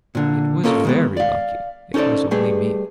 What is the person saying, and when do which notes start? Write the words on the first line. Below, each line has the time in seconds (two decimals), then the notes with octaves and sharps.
It was very lucky it was only me.'
0.15 A#2 D3
0.64 A#3 C#4 F4 A4 A#4 C#5
0.85 D#3 G#3 B3
1.17 D5 F5
1.94 C#4 D#4 A4 C5 D5
2.31 G3 A3 G#4 B4